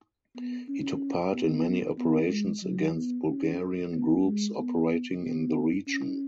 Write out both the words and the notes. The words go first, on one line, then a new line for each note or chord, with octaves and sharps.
He took part in many operations against Bulgarian groups operating in the region.
B3
C#4
B3
B3
G#3
F#3
B3
C#4
B3
G#3
B3
B3
C#4